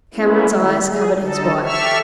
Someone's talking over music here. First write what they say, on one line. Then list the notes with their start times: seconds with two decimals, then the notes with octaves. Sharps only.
Cameron's eyes covered his wife.
0.14 G#3 A#3 B3 C#4 E4
0.59 D#3 G3 A3 E4
0.88 G#4
1.19 D3 D#4 A4
1.65 G4 A4 E5 C#6 E6 F6